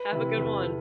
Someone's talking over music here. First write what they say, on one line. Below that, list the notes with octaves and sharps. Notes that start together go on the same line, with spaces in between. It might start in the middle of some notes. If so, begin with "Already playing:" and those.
Have a good one.
Already playing: B4
C3 E3
E2 B4
A4
C3